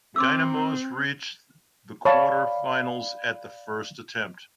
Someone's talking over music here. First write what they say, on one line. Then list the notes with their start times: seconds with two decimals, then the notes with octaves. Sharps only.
Dynamos reached the quarter-finals at the first attempt.
0.16 C4 C6 D6 E6
2.05 C#5 D5 F5 A5 B5 C#6